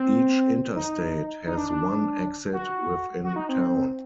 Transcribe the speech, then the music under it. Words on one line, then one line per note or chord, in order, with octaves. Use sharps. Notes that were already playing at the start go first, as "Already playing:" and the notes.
Each interstate has one exit within town.
Already playing: C4
D#4
D#4
D4
D4
F#4
F#4
D#4
C4